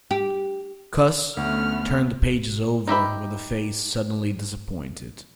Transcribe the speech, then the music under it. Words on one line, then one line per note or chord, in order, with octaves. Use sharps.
Cuss turned the pages over with a face suddenly disappointed.
G4
D2 A3 B3 C#4 F6
D#4 G4 E5 B5